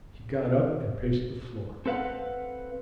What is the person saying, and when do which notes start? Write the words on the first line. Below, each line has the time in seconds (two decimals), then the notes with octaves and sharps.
He got up and paced the floor.
1.86 C4 A4 B4 F5 F#5